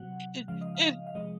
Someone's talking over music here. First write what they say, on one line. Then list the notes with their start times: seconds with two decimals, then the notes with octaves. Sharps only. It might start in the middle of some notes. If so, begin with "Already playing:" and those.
It it
Already playing: C3 F#3 F#5
0.48 C#3 F3 G#3 F5
0.61 D#5
0.75 F5
1.07 F5
1.15 C3 F3 G#3 D#5